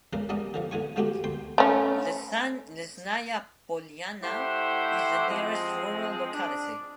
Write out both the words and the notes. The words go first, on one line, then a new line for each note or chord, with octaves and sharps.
Lesnaya Polyana is the nearest rural locality.
E2 C#3 E3 G#3 A#4
G3 G#3 B3 D4 A#4 D#5
D3 E3 F3
E2 D3 E3 G#5 C#6
D3 G#3 A3 B3 F#4 G4
D2 G5 C6
A3 C#4
A3 E4 G4 C5 F#5 G5
F3 G#3 C4
D4